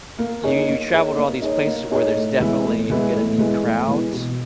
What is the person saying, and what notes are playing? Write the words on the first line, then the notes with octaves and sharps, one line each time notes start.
you you travel to all these places where there's definitely gonna be crowds,
A#3
D#4 G#4 C#5
A#3
D#4 G#4 C#5
A#3
D#4 G#4 C#5
A#3
D#4 G#4 C#5
A2
E3 G#3 B3 E4
A2
E3 G#3 B3 E4
A2
E3 G#3 B3 E4
A2
E3 G#3 B3 E4
B2